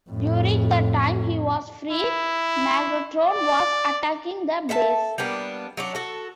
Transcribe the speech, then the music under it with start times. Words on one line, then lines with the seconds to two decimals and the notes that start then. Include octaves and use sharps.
During the time he was free, Megatron was attacking the base.
0.10 F2 A2
1.92 E4
3.23 D5
4.69 A4 E5 F5 A5
5.18 G3 A#3 B3 D4
5.77 F#3 C#4 D4
5.95 F#4 A4